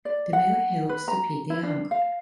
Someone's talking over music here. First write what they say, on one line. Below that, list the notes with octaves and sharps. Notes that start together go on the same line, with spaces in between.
The male helps to feed the young.
D5
F#5
B4
A#5
E4
D4
F5